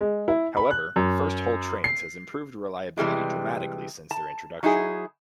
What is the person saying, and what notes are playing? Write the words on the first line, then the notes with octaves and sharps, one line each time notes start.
However, First Hull Trains has improved reliability dramatically since their introduction.
G#3
E4
B5
F#6
F#2
C7
C3 E3 G3 G#3
A5
F#3 D#4 E4 G#4